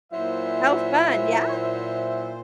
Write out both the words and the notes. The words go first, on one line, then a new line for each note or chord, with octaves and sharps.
How fun, yeah.
A#2 F#3 E4 C5 E5